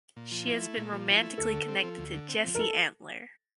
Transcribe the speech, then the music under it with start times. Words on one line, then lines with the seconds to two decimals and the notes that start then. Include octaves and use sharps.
She has been romantically connected to Jesse Antler.
0.17 A#2
0.32 F3
0.47 E4
0.62 A3
0.77 A#2
0.92 F3
1.08 E4
1.23 A3
1.38 D2 A4
1.53 D3
1.68 C4
1.84 F3
1.98 D2
2.13 D3
2.29 C4
2.44 F3
2.55 A#4
2.59 A4